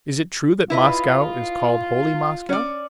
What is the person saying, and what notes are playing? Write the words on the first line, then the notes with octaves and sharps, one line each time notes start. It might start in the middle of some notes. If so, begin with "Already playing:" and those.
Is it true that Moscow is called 'Holy Moscow'?
E4 F4 B4 D#5
C#4 D5